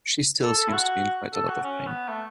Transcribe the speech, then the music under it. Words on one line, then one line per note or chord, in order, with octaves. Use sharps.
She still seems to be in quite a lot of pain.
A4
A4
E4
F#4
A4
F#4
C#4
B3
A3